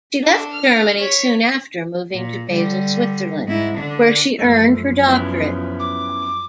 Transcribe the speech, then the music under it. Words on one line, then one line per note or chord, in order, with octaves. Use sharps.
She left Germany soon after, moving to Basel, Switzerland, where she earned her doctorate.
D4 A4
F6
C#5 B6
A#2
D3 G3
G#2 E4
D3 D4
F#2 F3 A3
B3 C#4 E4
D6